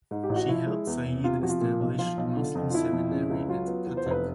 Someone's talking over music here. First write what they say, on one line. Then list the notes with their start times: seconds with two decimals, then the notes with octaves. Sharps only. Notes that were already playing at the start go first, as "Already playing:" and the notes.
She helped Sayeed establish the Muslim Seminary at Cuttack.
0.11 G#2
0.23 G4
0.29 A1
0.36 F#4
0.49 F3 E4
0.67 G#3
0.87 E2
1.05 E1
1.24 C3 F4
1.42 F3 F#4
1.49 F4
1.61 A#2
1.80 B1
1.99 F3 F4
2.17 B1
2.37 D3
2.55 F2
2.70 F4
2.74 F3 E4
2.93 F2
3.11 C#3
3.30 C#2
3.48 F#3 F4
3.67 B3
3.86 E2
3.97 C5
4.06 F1
4.11 B4